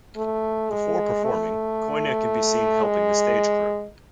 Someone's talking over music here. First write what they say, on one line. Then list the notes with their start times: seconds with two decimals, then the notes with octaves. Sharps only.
Before performing, Coyne can be seen helping the stage crew.
0.16 A3
0.70 G#3
1.24 A3
2.84 G#3